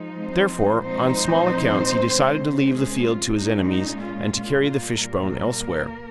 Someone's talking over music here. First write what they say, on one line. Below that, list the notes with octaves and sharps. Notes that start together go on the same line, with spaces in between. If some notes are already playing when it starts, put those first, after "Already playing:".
Therefore, on small accounts he decided to leave the field to his enemies and to carry the fishbone elsewhere.
Already playing: F3 G#3 D#4
C4 C5
A#2 F3 G#3 C4 D#4 C5
C3 D#3 G#3 C#4
G#3 G#4
F4
A#2 G#3 C#4 D#4
D#4
F4
A#2 G3 A#3 F4
A#3 A#4